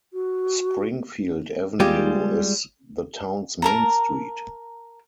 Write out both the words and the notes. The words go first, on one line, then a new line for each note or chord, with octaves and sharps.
Springfield Avenue is the town's main street.
F#4
G3 G#3 F4 G4
A#4 A5 A#5